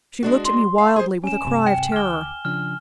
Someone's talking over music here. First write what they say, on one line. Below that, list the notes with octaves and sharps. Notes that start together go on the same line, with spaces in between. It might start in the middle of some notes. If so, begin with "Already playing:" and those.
She looked at me wildly, with a cry of terror.
G#3 D4 F#4
C6
F5
G#4 C5
C#4 G#5 E7
G2 C3
G5
D2 D6 F6 G7
C#3 F3 D4 F6